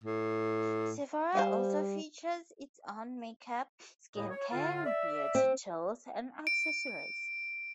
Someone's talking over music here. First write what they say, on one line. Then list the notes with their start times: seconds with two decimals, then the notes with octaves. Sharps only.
Sephora also features its own make-up, skincare, and beauty tools and accessories.
0.04 A2
1.35 G3 C5 F5 G#5
4.16 D#2 A2 D#5
4.31 C#5
4.52 A2 D3 F4
4.85 D5 E5
5.35 C4
6.47 D7